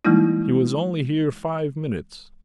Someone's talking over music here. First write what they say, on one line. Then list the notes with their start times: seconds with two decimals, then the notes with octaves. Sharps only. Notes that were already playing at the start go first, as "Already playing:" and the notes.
He was only here five minutes.
0.05 E3 G3 G#3 A#3 D#4 E4